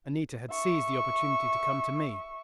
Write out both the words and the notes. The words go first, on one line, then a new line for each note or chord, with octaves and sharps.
Anita had seized the opportunity to come to me.
E5 C#6